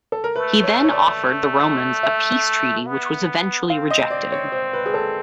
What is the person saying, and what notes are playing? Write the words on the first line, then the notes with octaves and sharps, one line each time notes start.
He then offered the Romans a peace treaty which was eventually rejected.
A4
A#4
A3 B4
C#5
C#5
D5
E5
B3
C4 F5
D#5
D5
C#5
C5
B4
G#4
A4